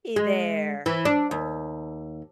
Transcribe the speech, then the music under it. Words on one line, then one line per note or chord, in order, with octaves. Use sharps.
Hey there.
G#3
E3
D4
D#2